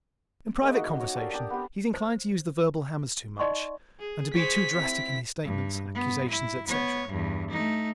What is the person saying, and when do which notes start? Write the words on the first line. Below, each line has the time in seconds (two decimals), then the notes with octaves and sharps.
In private conversation he is inclined to use the verbal hammers too much and to be too drastic in his statements, accusations, etc.
0.61 G#3 A#3 D#5 E5
0.74 D#4 F#4
0.99 C#4 F#4 C#5
1.14 G4 A4 A#4 D5
1.33 D4 G4 D#6
1.50 B3 C4 G4
1.94 C5
3.39 D#4 D5 D#5 F#5 C6 C#6
3.99 G#4
4.34 G#4 C5 C#5 B6
4.76 C4 E4
5.44 G2
5.95 B3
6.29 E4
6.68 B3 C#5
7.08 E2 G2
7.50 A3 D#4